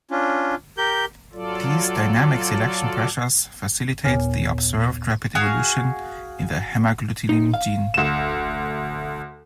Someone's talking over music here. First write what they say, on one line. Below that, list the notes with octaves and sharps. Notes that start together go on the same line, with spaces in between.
These dynamic selection pressures facilitate the observed rapid evolution in the hemagglutinin gene.
C#4 D4 F4
G4 A#4 G6
F#3 F4 A4 D5
D#2 A#2 B3 C#5 G#5 F6
F#4 G#4 F5
D#4
F5
D2 E7